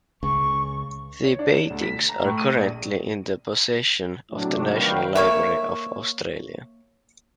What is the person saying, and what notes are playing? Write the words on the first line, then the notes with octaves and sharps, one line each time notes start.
The paintings are currently in the possession of the National Library of Australia.
C#2 C#3 C#6
C#5
D4
E7
D2
B6
A#5
A2
D#7
A#1
A2 C3 F#3 D4
D#3 G3 F#4 B4 F5 G5
A#3 C#5 E5